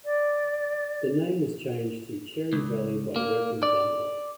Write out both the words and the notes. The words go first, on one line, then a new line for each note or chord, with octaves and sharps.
The name was changed to Cherry Valley by Reverend Dunlop.
D5
C#2
A#3
D5